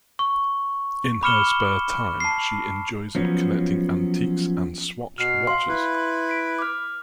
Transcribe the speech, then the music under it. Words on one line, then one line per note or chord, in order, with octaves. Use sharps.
In her spare time, she enjoys collecting antiques and Swatch watches.
C#6
B5 D6 F6 C#7 E7 G7
A5 C7
F3 F#3 B3 C#4
B2 F6 C7
F5 C6
E4 B4
C6
B6 D7
D6 F6